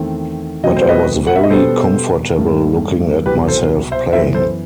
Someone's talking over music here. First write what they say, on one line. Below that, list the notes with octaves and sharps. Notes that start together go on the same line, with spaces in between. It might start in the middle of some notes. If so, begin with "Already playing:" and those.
But I was very comfortable looking at myself playing.
Already playing: E2 D#3 A3 C4
B2 F#3 A3 C4 D#5
C5
B4 D#5
F#5
E5
D#5
B2 G3 B3 A4 C5
G2 D#3 A3
C2 B2 F#3 B3 G4 B4
A4 C5
C5 E5
F#2 E3 B3 C5 E5
A4 C5